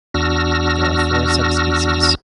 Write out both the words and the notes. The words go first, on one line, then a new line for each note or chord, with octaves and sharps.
There are four subspecies.
E2 D4 F#4 E6 F6 A#6